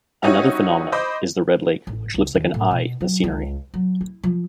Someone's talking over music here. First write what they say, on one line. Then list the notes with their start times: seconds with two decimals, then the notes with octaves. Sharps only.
Another phenomenon is the Red Lake which looks like an eye in the scenery.
0.23 G3 C#4 D#4 E4 F#4 C#5
0.92 C5 D#5 B5 D6 G6
1.87 A1
2.14 C#2
2.35 D#2
2.54 A2
2.71 B2
3.01 F#3
3.24 C#2
3.74 F#3
4.01 E4
4.23 F3